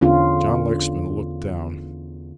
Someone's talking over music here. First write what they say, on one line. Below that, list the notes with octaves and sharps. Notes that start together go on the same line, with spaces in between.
John Lexman looked down.
E2 D3 C#4 F4